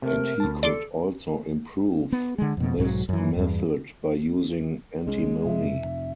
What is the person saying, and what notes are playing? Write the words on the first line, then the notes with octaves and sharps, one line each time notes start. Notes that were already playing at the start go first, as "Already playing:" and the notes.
And he could also improve this method by using antimony.
C3 A3 A#4
D2 A5
A4 D5 C6 D6
B3
D3 G#3
F2 B2
B1 G#2 F3 F#3
F#2 E3
E2 G2
C2 G#3 C#4
F2 C3 E5